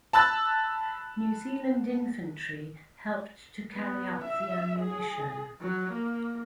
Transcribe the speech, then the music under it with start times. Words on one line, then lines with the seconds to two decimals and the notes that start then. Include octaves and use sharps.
New Zealand infantry helped to carry up the ammunition.
0.13 A5 B5 E6 F#6 A6
3.74 B3
4.24 E5
4.79 G#4
5.61 F#3
5.92 A#3